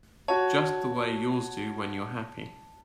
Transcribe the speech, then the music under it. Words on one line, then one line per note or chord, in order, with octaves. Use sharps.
Just the way yours do when you're happy.
F#4 C#5 A5